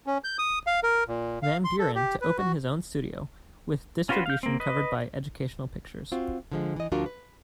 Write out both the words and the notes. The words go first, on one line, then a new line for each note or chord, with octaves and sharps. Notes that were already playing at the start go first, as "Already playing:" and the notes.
Van Beuren to open his own studio, with distribution covered by Educational Pictures.
C#4
G6
D#6
F5
A#4
A#2
F5
C6
A4
G4
B4
F#4
C#4 F4 F#4 B4 C5
F5 G6
A#3 C4
B4 D#5
C4 F4 F#4
D3 F3 G#3
E3 D#5
D2 F3 D4 F4 F#4 A#4
B4